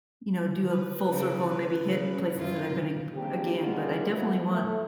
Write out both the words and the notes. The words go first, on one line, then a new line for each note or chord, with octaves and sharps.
you know, do a full circle and maybe hit places that I've been b again; but I definitely want
B4
C#3
C#3
F#2 F4
C#3 A#3 C4 D4 G4
G3 G#3 B3 C#4 F4 F#4
A#2 A3 B3 B4 C5
A3